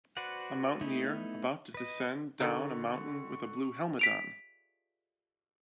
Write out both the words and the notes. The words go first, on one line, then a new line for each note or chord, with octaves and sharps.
A mountaineer about to descend down a mountain with a blue helmet on.
F#4 B4 C5 D5 F#5
A3 B3 D#4 E4
B4 D#5
D3 D#3 C#6
B6 D7 F7